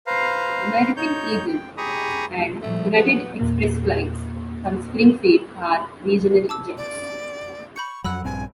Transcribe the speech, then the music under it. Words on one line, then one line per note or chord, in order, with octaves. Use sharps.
American Eagle and United Express flights from Springfield are regional jets.
B4 C5 F5 A#5
D#4 C#5 G6
G5
G4 G#4 A#5 B5 C#6 D#6
A#2 F3 G3 A3
F#3 B3
E2 A#2 A#3
A5 D6 E6
D5
B5 C#6 G6 C#7
F2 F#3 F#5 B5 E6 F#6
A#1 G2 C4 G#5